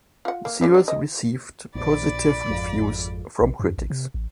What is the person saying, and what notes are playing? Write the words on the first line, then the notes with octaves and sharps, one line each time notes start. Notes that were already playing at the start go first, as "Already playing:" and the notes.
The series receive positive reviews from critics.
F4 F#5
A#3
C#3 F#3 G3
D4 E4
D#5
A#1 D5 B5
G#1 F2
A#1
F#2
A1
C3
A1